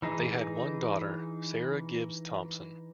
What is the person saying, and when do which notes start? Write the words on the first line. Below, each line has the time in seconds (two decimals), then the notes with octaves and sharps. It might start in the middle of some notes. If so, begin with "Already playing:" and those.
They had one daughter, Sarah Gibbs Thompson.
0.02 E3 D#4 G#4